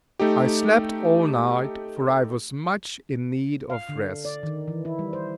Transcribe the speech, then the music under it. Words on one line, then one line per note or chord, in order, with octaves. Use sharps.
I slept all night, for I was much in need of rest.
A3 D#4 G4
F5
D3
D5
D#3
E3
E4
G3
C5